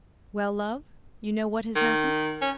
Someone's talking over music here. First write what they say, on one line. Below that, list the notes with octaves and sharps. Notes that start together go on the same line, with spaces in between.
"Well, love--you know what has happened?"
D#3
C#4